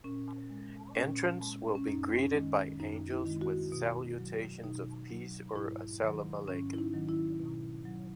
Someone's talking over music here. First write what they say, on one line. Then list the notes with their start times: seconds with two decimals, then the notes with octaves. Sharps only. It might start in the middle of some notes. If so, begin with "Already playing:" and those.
Entrants will be greeted by angels with salutations of peace or As-Salamu Alaykum.
0.04 A#2 C#4
0.50 G#3
0.96 A#2 C#4
1.42 G#3
1.75 C#4
1.88 F#2 D#4
2.18 C#4
2.34 D#3 G#3
2.80 F#2 D#4
3.11 E4
3.26 D#3 G#3
3.41 F#4
3.72 B2
4.18 F#3
4.64 B2 D#4
5.10 F#3
5.55 G#2 E4
6.02 D#3 F#3
6.48 G#2 C#4
6.73 E4
6.78 D#4
6.94 D#3 F#3
7.08 E4
7.39 B2
7.86 F#3